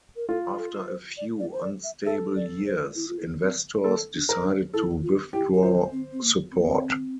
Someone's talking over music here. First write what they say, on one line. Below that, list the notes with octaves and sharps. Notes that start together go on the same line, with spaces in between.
After a few unstable years, investors decided to withdraw support.
A#4
F4 A4
A4
C5
D5
D5
C5
D5
E5
A4 E5
D5
C5
E4
F4
E4
C4
A#3 A4
D4
A#4
D4
E4 A4
F4
E4 G4
G4
F4 C5
C4
C4
A#3
C4
A#3
C4